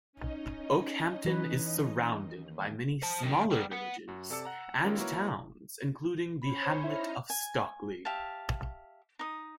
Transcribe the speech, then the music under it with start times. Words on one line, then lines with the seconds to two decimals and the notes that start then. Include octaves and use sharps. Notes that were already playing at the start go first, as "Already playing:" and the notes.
Okehampton is surrounded by many smaller villages and towns including the hamlet of Stockley.
0.13 C#4 D#4 D#5
1.25 E3 B4
2.14 D#2
3.02 C5 A5
3.22 F#2 D#3
3.51 G3 B3
3.72 B3 F#5
4.08 F#2 F#4
4.30 C3 A4 D5 A5 E6 C#7
4.45 F#5 A#5
4.84 D#3 G3 G#3 C#4 F4 A#4
4.98 A#3 E4 F#4 A#4 B4 C#5
6.42 C#4 C5 C#5 B5
6.84 D#4 E4 A#5 F6
7.30 G#5
8.05 G4 E5 F5 A5
9.19 D#4 D#6